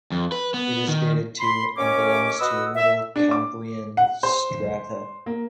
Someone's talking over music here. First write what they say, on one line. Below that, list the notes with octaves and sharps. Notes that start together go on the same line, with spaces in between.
It is dated to and belongs to middle Cambrian strata.
F2
B4
B3
D#3
B5 C6
D#2 C#4 D6
F#4 B4 D#5 F#5 D#6 E6
E5
D4
D6
F#5
C5
A#3